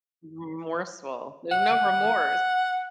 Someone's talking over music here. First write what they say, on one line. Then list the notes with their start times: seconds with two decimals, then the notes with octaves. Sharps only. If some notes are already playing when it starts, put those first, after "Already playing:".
Remorseful, there's no remorse.
1.52 F#5